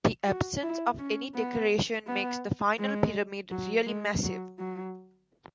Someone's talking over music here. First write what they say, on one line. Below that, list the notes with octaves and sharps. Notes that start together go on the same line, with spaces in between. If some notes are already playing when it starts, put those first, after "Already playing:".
The absence of any decoration makes the final pyramid really massive.
F#4
E4
C#4
B3
B3
G#3
F#3
G#3
F#3
F#3